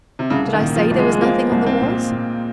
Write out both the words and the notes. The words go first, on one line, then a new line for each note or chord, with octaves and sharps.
Did I say there was nothing on the walls?
C3
C2 C#3
D#3
A#2
F3
C2
G#3
G#3
F3 A#3
C2
C4
A#2
A#2